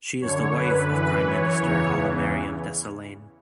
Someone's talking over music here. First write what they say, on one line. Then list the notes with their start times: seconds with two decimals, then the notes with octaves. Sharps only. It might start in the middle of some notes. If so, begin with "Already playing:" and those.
She is the wife of Prime Minister Hailemariam Desalegn.
0.22 F#2 D3 C#5
0.56 B4
0.91 F#2 E3 B4
1.26 C#5
1.60 E2 C#3 E3